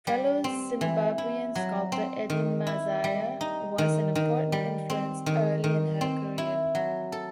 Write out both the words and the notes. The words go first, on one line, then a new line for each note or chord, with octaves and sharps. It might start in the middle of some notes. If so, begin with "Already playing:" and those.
Fellow Zimbabwean sculptor Eddie Masaya was an important influence early in her career.
G3
C4
E3
E4
F#3
C4
D#3
E4
G3
D#4
D#3
D#3
G3
C4
D#3
D#3
C4
E4
F#3
A4